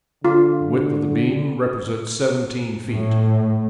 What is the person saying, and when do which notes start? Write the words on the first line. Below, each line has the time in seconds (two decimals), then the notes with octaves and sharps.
The width of the beam represents seventeen feet.
0.25 D3 F4
2.91 A2